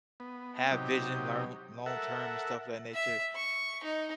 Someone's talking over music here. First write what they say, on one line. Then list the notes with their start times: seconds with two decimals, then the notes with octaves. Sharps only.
have vision learn long term and stuff of that nature,
0.20 B3
0.72 C3 F#3 D#4 G4
1.86 A4 A#4 E5 F#5
2.94 E5
3.36 C#6
3.84 D#4